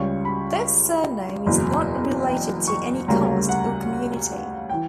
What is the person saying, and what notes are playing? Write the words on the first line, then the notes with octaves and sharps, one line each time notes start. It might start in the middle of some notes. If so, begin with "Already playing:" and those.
This surname is not related to any cast or community.
Already playing: C#2 C#3 G3 C#6
B5
F#1 E2 B2
G5
C#6
D2 C#3 G3 A#3 A#5
F#5
E3 G5